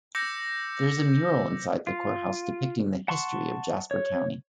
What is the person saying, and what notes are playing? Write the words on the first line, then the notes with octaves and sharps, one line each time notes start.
There is a mural inside the courthouse depicting the history of Jasper County.
D6 E6 G6 A#6 C#7
F4
F#5 A5 C6 C#6
C#5